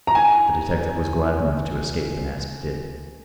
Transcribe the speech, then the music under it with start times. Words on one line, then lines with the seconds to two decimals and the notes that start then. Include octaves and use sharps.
The detective was glad enough to escape and ask Dick.
0.07 A#5
0.15 G#5